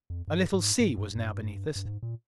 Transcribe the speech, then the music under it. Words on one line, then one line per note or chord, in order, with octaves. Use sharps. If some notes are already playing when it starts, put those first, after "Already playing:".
A little sea was now beneath us.
F2
G2
G#2
G#2
G2
G2
G2
G#2
A#2